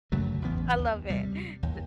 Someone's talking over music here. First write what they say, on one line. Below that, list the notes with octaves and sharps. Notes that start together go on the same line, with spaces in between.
I love it. Do d
F#2 C#3 F#3 A3
A1 E2 B3
D#2
C3 G3
D#2